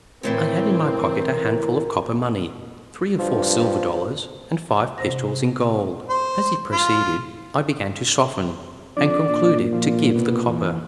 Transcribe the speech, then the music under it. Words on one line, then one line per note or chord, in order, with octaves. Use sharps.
I had in my pocket a handful of copper money, three or four silver dollars, and five pistoles in gold; as he proceeded, I began to soften, and concluded to give the copper.
A1 D2 A2 E3 C4 A#4
G2 F3
C3 C5 A#6
C5
F4
F2 D4 D5
A#2
F3
B2
E2